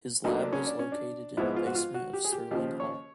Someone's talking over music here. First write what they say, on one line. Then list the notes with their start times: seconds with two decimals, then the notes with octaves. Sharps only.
His lab was located in the basement of Sterling Hall.
0.24 D2 D3 F#3 A#3 D#4
0.38 D4
0.53 C#4
0.67 D4
0.79 C#4
0.92 D4
1.37 G#2 F3 G#3 B3 E4
1.56 F4
1.66 F#4
1.75 F4
1.94 F#4
2.13 G4
2.25 G#4
2.32 G4
2.51 D#2 C#3 F3 G4
2.80 C#5